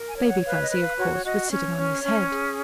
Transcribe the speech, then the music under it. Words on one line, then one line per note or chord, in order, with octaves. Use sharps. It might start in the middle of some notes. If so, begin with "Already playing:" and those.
Baby Fuzzy, of course, was sitting on his head.
Already playing: A#4
G#5
C#5 F5
F#5
B4 F5
D#5
B4
F5
F#4 C#5
C#5
F#4 D#5
D#5
C#4 C#5
C#4
C#4
G#4